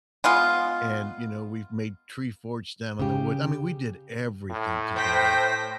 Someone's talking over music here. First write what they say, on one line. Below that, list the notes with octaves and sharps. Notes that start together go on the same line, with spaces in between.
and, you know, we've made tree forts down in the wood I mean, we did everything together,
G#3 B3 F4
C#3 G4
A2
C5 G5 A#6 B6